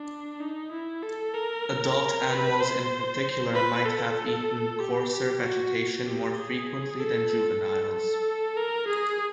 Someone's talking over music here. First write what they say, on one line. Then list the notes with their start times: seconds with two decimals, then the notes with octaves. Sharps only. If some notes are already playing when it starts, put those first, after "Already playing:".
Adult animals in particular might have eaten coarser vegetation more frequently than juveniles.
Already playing: D4
0.40 D#4
0.72 E4
1.03 A4
1.34 A#4
2.29 B4
2.60 C5
3.54 B4
3.86 A4
4.80 G4
5.11 G4
5.42 F#4
6.05 G4
6.36 G#4
7.00 A4
7.31 A4
7.62 A4
7.94 A4
8.56 A#4
8.87 G#4